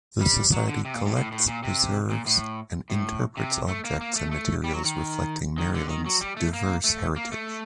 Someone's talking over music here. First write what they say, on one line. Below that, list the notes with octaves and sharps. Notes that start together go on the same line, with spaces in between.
The society collects, preserves, and interprets objects and materials reflecting Maryland's diverse heritage.
G3
F#3
D3
C3
A#2
A2
A2
A2
A#2
C3
A#2
A2
A2
C3
A3
A#3
A#3
A3
A3
G3
F#3
D#3
D#3
D3
D#3
F#3
G3
A3
A#3
A3
A#3
A3